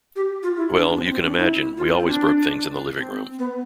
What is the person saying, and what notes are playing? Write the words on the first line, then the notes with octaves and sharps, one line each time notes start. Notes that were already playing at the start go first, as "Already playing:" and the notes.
Well, you can imagine, we always broke things in the living room.
G4
F4
E4
D4
C4
C4
D4
E4
F4
C4
C4
D4
C4
B3